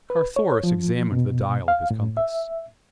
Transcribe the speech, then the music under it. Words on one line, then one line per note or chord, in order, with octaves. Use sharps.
Carthoris examined the dial of his compass.
B4
C#5
F3
B2
F5
A2
E5